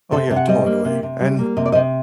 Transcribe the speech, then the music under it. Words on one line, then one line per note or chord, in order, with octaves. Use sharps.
Oh, yeah, totally. And f
C3 A4 C5
C3
F#5
G3 C5 D#5
A#3
C3
C3
G3
A#3
C3 D#5
D5
C3 C5 D#5